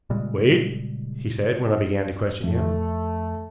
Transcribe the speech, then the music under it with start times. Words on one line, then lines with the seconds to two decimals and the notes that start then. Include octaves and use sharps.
"Wait," he said when I began to question him.
0.10 A#2 C#3 G3 G#3
2.44 F2 A3